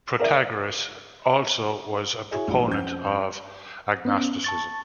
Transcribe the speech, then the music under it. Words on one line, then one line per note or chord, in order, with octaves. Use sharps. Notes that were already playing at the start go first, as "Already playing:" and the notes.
Protagoras also was a proponent of agnosticism.
A#4 D5 E5
E4 F#4 G#4 C#5
A#1 G#2 F#3
F2 C4 C#4 F#5 G6
B3 C#4
A5 C#6 A6